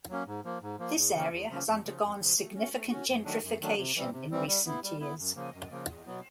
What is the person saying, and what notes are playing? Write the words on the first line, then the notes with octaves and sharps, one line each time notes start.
This area has undergone significant gentrification in recent years.
F#3 A#3 C#4
G#2
F3 A#3
G#2
F3 A#3
E2
C#3 F3 A#3 C#4
E2
C#3 F3 A#3 C#4
F2
C#3 F3
F2
C#3 F3
A3
C#4 F#4
A3
C#4 F#4
F#2
D#3 F#3 A3 D4
F#2
D#3 F#3 A3 D4
C3
E3 G3 C4
C3
E3 G3 C4
G3
B3 E4
G3
B3 E4
F#2
C#3 F3 A#3
F#2
C#3 F3 A#3
E2
B2 F#3 B3